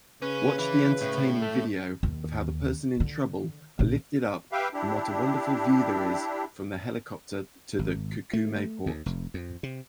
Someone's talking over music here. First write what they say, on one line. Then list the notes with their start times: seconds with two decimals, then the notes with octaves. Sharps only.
Watch the entertaining video of how the person in trouble are lifted up and what a wonderful view there is from the helicopter to the Kakumäe port!
0.22 C#3 C#4 B4
0.59 E3 E4
1.01 A2
1.41 A3
2.03 D#2
3.00 D3
3.79 A#1 C#3
4.52 G4 B4 E5 F5 G5
4.73 D4 E4 G4
7.79 G#1
8.33 A3
8.86 D#2
9.06 F1
9.34 F2
9.63 C3